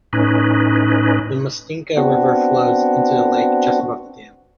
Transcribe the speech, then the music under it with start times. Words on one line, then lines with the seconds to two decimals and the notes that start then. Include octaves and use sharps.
The Mustinka River flows into the lake just above the dam.
0.13 A2 C#4 D#4 B4
1.97 B3 C4 D4 F#4